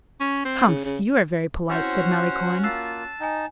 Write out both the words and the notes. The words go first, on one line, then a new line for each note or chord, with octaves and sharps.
"Humph! you are very polite!" said Malicorne.
C#4
C4
C#3
C#3
C4 C#4 E4 F#4 C5 F#5 G6
A#3 F4 A5 E6 F#6 C7
D#4 G5 G#5